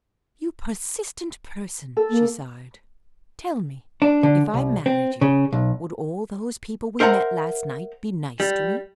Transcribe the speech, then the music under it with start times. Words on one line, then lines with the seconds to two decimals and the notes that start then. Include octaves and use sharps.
"You persistent person!" she sighed, "Tell me, if I married you would all those people we met last night be nice to me?"
1.97 A4
2.10 A#3
4.02 D4
4.23 D3
4.54 C2
4.86 C4
5.21 C#3
5.53 B1
7.00 A#4 C5 E5 F#5 G#5 A#5
8.40 G3